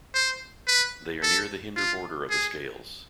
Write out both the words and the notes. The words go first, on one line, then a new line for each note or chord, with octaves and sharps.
They are near the hinder border of the scales.
C5
B4
A4
F4
G#4